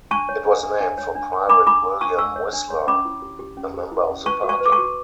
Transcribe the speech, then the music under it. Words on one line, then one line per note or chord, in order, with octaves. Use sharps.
It was named for Private William Whisler, a member of the party.
D4 A5 C#6
C#5
D4
D4
D4
C#5
D4
C#5
D4 B5 D6
D4 B5 D6
D4
D4 A5 C#6
D4 C#6 E6
C#5
D4
C#5
C#4 B5 D6
E4
G4
G4
C#4
G4
E4
C#4
B4 A5 C#6
F#4
A5 C#6
B4
D6
A5 C#6
F#4